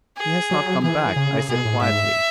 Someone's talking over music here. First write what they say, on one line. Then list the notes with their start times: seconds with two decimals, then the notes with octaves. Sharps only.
"He has not come back," I said quietly.
0.18 G#4
0.51 F#3
0.84 E3 G#4
1.16 C#3
1.33 C#3
1.49 B2 G#4
1.65 A2
1.81 G#2 E5